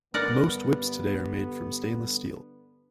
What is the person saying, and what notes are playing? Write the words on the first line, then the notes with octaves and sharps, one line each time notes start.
Most whips today are made from stainless steel.
G2 D3 B3 A#4 D5 F#5